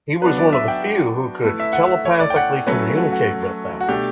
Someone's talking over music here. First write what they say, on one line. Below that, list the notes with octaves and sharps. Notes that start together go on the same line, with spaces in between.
He was one of the few who could telepathically communicate with them.
F#3 B3 D4 F#4 B4
D5
E5
G5
A3 E4 B4
E5
F#5
E5
C#5
D5
G5
F#5
F#3 A3 C#4 B4
A4
F#4
F#4
F#4
B2 A3 D4 G4